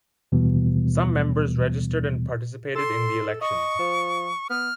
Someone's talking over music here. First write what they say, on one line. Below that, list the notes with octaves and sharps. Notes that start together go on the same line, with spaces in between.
Some members registered and participated in the elections.
D#2 B2 E3 G3 B3
A4 C6
D#5 C#6
F3
B3 F6